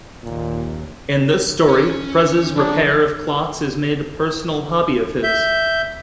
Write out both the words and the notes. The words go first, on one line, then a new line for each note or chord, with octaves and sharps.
In this story, Prez's repair of clocks is made a personal hobby of his.
D#2 A#2
C#4
F3 D4 D5
E5 G6